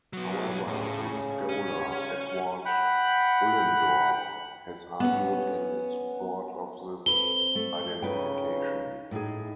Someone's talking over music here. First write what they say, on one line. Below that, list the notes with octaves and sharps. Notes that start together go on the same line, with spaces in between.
However, the scholar Edward Ullendorff has argued in support of this identification.
F#3 B3
A2 C#3
C#4
F#5 G5 B5
B3 C#4
C4 A4 B4 G7
A3
C#3 D#4 B4 G5
A2 D#4 G#4